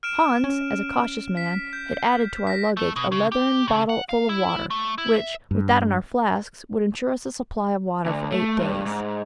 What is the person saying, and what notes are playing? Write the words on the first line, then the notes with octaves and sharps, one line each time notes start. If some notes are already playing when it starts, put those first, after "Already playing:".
Hans, as a cautious man, had added to our luggage a leathern bottle full of water, which, with that in our flasks, would ensure us a supply of water for eight days.
F6 D7 E7
C#4
B6
G6
A#6 B6
A3
B2
C#3
G4
C#3
F#5
F5
E4
A3
E4
E5
G2
D2
A3
G2
G#2